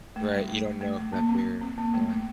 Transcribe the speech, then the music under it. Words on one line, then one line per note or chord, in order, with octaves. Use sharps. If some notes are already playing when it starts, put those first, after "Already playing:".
Right. You don't know if that their yeah.
A3
G3
A3
A3
A3
A3
A#3
C4
C4
A#3
A3
A3